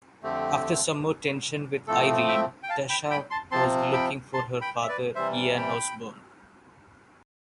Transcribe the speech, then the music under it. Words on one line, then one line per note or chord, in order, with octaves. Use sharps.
After some more tension with Irene, Tasha goes looking for her father, Ian Osbourne.
F2 D3 A3 C4 G4
A2 F3 A3 C4 A4
E5 G5
G5
F5 A5
G5 B5
G5 B5
A5 C6
C3 F3 C4 A5 C6
G5 B5
A5 C6
G5 B5
E5
B4 D5
C3 E3 G3 C5 E5
G5 B5